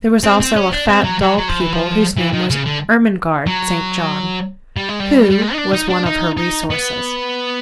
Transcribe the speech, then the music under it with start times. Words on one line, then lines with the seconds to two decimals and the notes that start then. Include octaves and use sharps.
There was also a fat, dull pupil, whose name was Ermengarde St. John, who was one of her resources.
0.24 C4
0.40 C4
0.56 C#4
0.72 D4
0.88 C4
1.04 F#3
1.21 F#3
1.37 F#3
1.49 F3
1.60 E3
1.73 F3
2.17 E3
2.34 D#3
2.50 C#3
2.66 D3
3.47 F#3
4.77 G3
4.89 G#3
5.00 G3
5.30 G3
5.41 G#3
5.53 D#4
5.58 D4
5.73 D#4
5.90 D4
6.05 D#4
6.37 D#4
6.70 B3